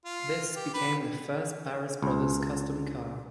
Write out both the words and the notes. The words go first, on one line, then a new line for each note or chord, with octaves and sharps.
This became the first Barris Brothers custom car.
F4
G4
B4
C#2